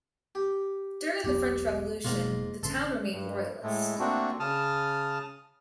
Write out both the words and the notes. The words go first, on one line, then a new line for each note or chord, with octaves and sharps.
During the French Revolution the town remained Royalist.
G4
E1 B1 B3 G4
F1 G#2 B2 G#3 A#3 F4
A1 D3 C#4 A4 C6
G2
A2 G#3 A3
A3 A#3 C4 D4 F#4
C#3 A5 D#6 F6